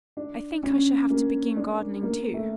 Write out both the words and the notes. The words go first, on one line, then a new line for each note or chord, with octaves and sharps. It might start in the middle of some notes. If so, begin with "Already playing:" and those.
"I think I shall have to begin gardening, too."
D4
C#4
A#3
D4
A#3
A3